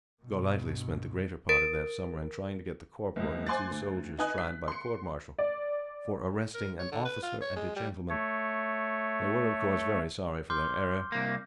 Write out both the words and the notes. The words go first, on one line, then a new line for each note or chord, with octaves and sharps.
Golightly spent the greater part of that summer in trying to get the Corporal and the two soldiers tried by Court-Martial for arresting an "officer and a gentleman." They were, of course, very sorry for their error.
G2 B2
A#4 A6 D7
F#1 C#2
C5 G#5 C6 D6 F#6 A6
D2
D#4 B4 D#5 G#5 D#6 F#6
B6
C6 C#7
D5
A#4
C#5
D3
B4
F4
C#5
G#3
G3
A3 C#5
C6 D6 F6 G6
C2 A#3